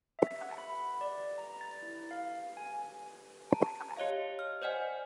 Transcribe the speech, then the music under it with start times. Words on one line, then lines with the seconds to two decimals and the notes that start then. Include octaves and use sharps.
Sarah Siddons kept a portrait of Fox in her dressing room.
0.19 E5
0.41 F#5
0.58 B5
1.01 D5
1.38 A#5
1.61 A6
1.82 E4
2.11 F5
2.57 G#5
3.51 A5 A#5
3.97 G4 C#5 D#5 F5
4.39 F6
4.62 C5 D5 D#5 F#5 G#5